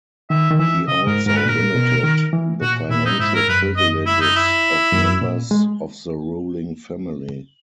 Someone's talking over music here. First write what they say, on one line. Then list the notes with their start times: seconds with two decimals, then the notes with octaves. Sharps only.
He also limited the financial privileges of members of the ruling family.
0.30 D#3 E5
0.51 D#3
0.58 E3 E5
0.87 C#3 D#5
1.07 G#2 A#4
1.26 G#2 A#4
1.36 B4
1.45 A#2 A#4
1.75 B2
2.04 D#3
2.33 E3
2.61 A#2 F#4
2.90 A#2 E4
3.05 D#4
3.19 G#2 E4
3.34 A#4
3.48 F#2 B4
3.77 D#5
4.06 E4
4.21 D#4
4.36 E4
4.93 F#2
5.22 A#2
5.51 G#3